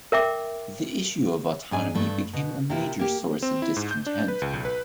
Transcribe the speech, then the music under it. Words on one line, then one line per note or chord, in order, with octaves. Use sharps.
The issue of autonomy became a major source of discontent.
A#4 E5 G5 D6
G#2 D4 G#5
G2 A3
B2
C3 A#3 E4 F4
A#3 G4
C4
E4
G#2
G6
D4
B4
C#2
B1
B4